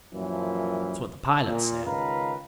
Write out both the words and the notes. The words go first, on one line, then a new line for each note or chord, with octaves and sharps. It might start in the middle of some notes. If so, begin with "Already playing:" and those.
That's what the pilot said.
F#2 A#2 E3 F3
A#2
C#2 D#3 B4 F5 A#5